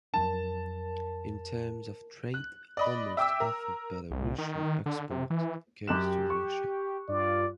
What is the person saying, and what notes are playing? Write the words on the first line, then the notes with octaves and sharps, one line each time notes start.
In terms of trade, almost half of Belarusian export goes to Russia.
F2 F#3 D4 A#4 A5
F#6
D5 D#5 B5
E5 G5 D6 E6
A#4
C2
D#3
D3
C3
E3
F#2 G4 F#6 E7
C#6
G2 F4 D5